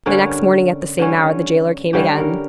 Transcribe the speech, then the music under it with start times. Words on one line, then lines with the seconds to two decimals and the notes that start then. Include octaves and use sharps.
The next morning at the same hour, the jailer came again.
0.06 D3 G3 C#4 A#4
0.99 D3 G3 C#4
1.93 D3 G3 C#4 G4
2.18 A#4